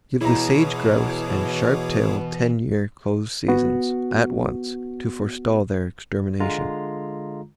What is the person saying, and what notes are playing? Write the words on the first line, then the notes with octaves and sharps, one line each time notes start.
Give the sage grouse and sharp-tail ten-year close seasons, at once, to forestall their extermination.
B2 E3 E4 G#4 C#5 A#5 D6
B3 F#4
D3 G#3 F4 A#5